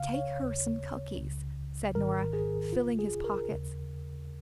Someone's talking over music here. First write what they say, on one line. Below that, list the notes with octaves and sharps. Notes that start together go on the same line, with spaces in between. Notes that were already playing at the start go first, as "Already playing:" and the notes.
"Take her some cookies," said Nora, filling his pockets.
Already playing: C#2 C#3 F5
C#5
D#2 C#3
C#2 C#3
G#1 G#2 D#3 A#4
G#4
C#2 C#3 F4
G#4
A#4
D#2 C#3